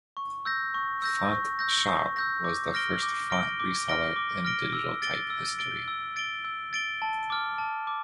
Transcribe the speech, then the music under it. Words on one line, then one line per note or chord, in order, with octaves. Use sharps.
FontShop was the first font reseller in digital type history.
C#6
E6 G6 A#6
C#6
E6 G6 A#6
C#6
E6 G6 A#6
C#6
E6 G6 A#6
D6
F6 A#6 D7 G7
D6
F6 A#6 D7 G7
D6
F6 A#6 D7 G7
D6
F6 A#6 D7 G7
E6
A6 D7 G7
E6
A6 D7 G7
E6
A6 D7 G7
E6
A6 D7 G7
A5
D6 F6
A5
D6